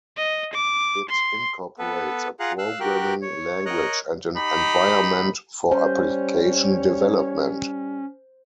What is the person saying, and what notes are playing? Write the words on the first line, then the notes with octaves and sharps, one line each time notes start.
It incorporates a programming language and an environment for application development.
D#5
D6
C6
B3 A4 B4
F4 G#4 F5 F#5 A#5 F#6
F5 E6 F#6
F#4 G4 A#4 G5 F#6
C#5
A#4 C#5 D#5 A#5 F#6
D#4 G4 B5
G3 C#4 C5 C#5